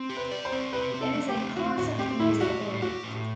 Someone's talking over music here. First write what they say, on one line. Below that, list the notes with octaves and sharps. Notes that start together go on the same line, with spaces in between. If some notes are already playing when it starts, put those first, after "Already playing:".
It is a part of the middle ear.
Already playing: C4
G4
B4
D5
C5
C4
G4 B4
C4
A4
A3
G4
C4
C4 F#4
A2 F#4
C4 G4
A2 E4
F#4 G4
A2
F#4 G4
A2